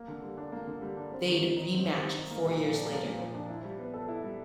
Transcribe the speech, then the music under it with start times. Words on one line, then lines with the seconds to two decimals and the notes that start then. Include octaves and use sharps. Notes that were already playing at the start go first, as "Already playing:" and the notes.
They'd rematch four years later.
Already playing: A#3
0.08 D3
0.23 G3
0.38 D4
0.52 A#3
0.67 D3
0.82 G3
0.97 D4
1.12 C4
1.27 D#3
1.42 G3
1.57 D#4
1.72 C4
1.86 D#3
2.01 G3
2.15 D#4
2.31 A#3
2.45 A#2
2.60 F3
2.74 D4
2.89 A#3
3.05 A#2
3.19 F3
3.35 D4
3.49 E4
3.64 G3
3.79 B3
3.94 A4
4.08 E4
4.24 G3